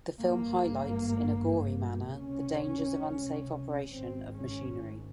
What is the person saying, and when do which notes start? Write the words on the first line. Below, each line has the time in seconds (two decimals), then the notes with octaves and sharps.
The film highlights, in a gory manner, the dangers of unsafe operation of machinery.
0.21 G#1 G2 A#3
2.06 C#2 C3 C#4
3.91 G#1 G#2 C4
4.38 C#4